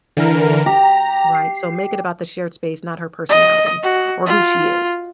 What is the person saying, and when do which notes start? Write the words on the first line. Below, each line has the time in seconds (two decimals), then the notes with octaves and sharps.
Right, so make it about the shared space, not her personality, or who she is.
0.17 D3 E3 A#4
0.66 G4 A#5
1.35 C7
3.29 D#5
3.83 F#4
4.26 F4